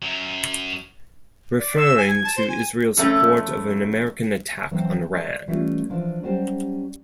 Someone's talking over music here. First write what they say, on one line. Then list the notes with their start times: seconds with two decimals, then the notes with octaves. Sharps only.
Referring to Israel's support of an American attack on Iran.
0.02 F#2 F#3
1.59 D5
1.77 E6
1.98 G#5
2.10 G#6
2.24 A5
2.37 C5
2.49 G#5
2.97 F2 A3 C#4
4.71 E3 F#3 A3 C4
5.14 D5 F5
5.48 E3 G3 A3 C#4 F4
5.90 E3 F3 D4
6.23 F#3 G3 C#4 G4 C5